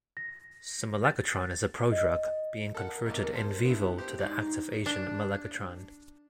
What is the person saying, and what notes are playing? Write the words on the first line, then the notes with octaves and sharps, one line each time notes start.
Ximelagatran is a prodrug, being converted "in vivo" to the active agent melagatran.
A#6
A6
D#5
A4 A#4 F#5
G#1 E2
A4 C5
B3 D4 E4
G4 C5
G#2 D#4 D5
D4